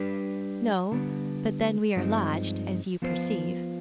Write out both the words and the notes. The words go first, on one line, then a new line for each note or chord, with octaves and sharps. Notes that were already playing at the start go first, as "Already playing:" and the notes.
"No; but then we are lodged, as you perceive."
Already playing: G3 D4 G4 B4
D3 G3 B3
G2 F3 G#3 C4 D#4
F3 B3 F4 C5